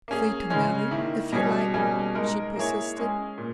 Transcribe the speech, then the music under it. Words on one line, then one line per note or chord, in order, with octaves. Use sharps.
"Free to marry, if you like?" she persisted.
A#3 C#4 G#4
C#3 G#3 C#4
D#3 A#3 E4
B2 G3 C#4 G#4 C#5
B2 G3 A#3 C#4 G#4
G#3 D#4 A#4
A#3 E4 G#4 C#5
G#3 C#4 G#4
A#2